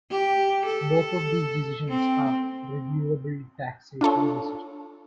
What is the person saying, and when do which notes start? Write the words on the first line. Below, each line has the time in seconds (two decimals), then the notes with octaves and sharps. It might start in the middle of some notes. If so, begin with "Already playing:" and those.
Both of these decisions are reviewable taxation decisions.
0.11 G4
0.66 A4
1.89 C4
4.01 D4 F4 A4 C#5